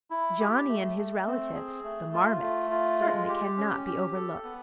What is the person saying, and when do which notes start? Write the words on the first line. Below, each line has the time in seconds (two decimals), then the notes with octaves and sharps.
Johnny and his relatives, the Marmots, certainly cannot be overlooked.
0.10 E4
0.40 G4
0.68 A3
0.98 A3
1.27 C4
1.55 G#4
1.84 A3
2.13 F4
2.42 A3
2.71 F4
3.00 G#3
3.29 G4
3.57 C#4
3.86 G4
4.15 A4
4.44 B3